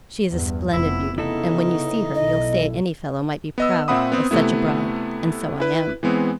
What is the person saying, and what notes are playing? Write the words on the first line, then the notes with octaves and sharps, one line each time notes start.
She is a splendid beauty, and when you see her you'll say any fellow might be proud of such a bride; and so I am.
E2 G2
F1 F2 B3 E4
C#3 B3 D#4 E4 A4
B1 D#5
B3 D#5 E6
A#2 C4 E5 F#5 B5 D#6
B3 C4
C3 A3 B3 E4
E4 B4
E3 G#3 B3 C4